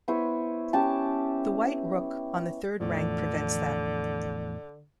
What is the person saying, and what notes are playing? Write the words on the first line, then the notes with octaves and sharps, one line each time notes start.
The white rook on the third rank prevents that.
B3 E4 C5 C#5
C#4 G4 G5 A5
E2 A2 D3 F3